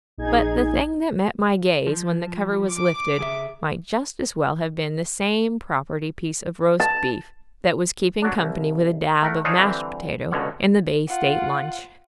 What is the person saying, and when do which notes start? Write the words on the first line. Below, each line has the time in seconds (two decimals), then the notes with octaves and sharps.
But the thing that met my gaze when the cover was lifted might just as well have been the same property piece of roast beef that was keeping company with a dab of mashed potato in the Bay State Lunch.
0.18 A#1 D#4 G#4 G#6
1.87 F3
2.71 D6
3.19 C#3 G#4 E5
6.80 A5
8.22 F#3 D4
8.38 C2
9.23 A3 A#4 F#5
9.44 D4 D#4 F4 G#4 C5 C#5
9.58 D3 E3 G3 C4 A#5
10.31 C#2 B2 D3 C#5 F#5
11.08 F4 F#5